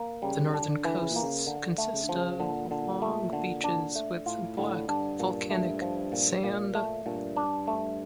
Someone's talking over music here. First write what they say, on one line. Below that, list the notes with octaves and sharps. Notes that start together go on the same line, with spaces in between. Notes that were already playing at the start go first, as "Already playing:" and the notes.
The northern coasts consist of long beaches with black volcanic sand.
Already playing: A#3
C#3 G3
D3 D4
E3
C#3
A#2
A#3
C#3
D3
A3
C#3
D3
C#3 F3
A#2 D3
D3
A3
D3
D4
A3
A2 F4
A2 D3
G2 D4
A#2
A3
F3
A#2
A#2
A3
G2 A#2
D4
A3